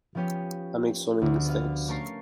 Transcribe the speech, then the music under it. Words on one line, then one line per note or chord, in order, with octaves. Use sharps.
I make so many mistakes.
F3 B3 C#4 G4 C#5
D2
B3 F5
A3 C#4 A#4 A5 C#6 C7